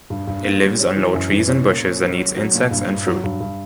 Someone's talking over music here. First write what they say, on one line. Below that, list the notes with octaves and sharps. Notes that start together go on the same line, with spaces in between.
It lives on low trees and bushes and eats insects and fruit.
G2
G2
A#3
G3
C#4
E3
F#2
E3
C#4
A#2
C#4
F#3
C#4
F#3
A#2
G2
G2
F#3
G2
G2